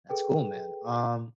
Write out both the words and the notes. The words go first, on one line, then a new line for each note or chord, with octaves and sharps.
that's cool, man. Um
G#4 A4 B4 G5